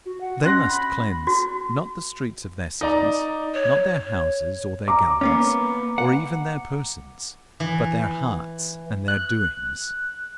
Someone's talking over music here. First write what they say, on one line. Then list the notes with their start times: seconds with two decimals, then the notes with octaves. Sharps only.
They must cleanse, not the streets of their cities, not their houses or their garments or even their persons, but their hearts and their doings.
0.06 F#4
0.21 F#5
0.44 C#4 C6 F#6 A#6
0.68 B5
1.27 F#4
2.81 D#4 D5 A#5
3.54 C#5
4.88 A#5 D6
5.21 A#3 B3 C#4
5.98 F#5
7.60 E3
9.08 F#6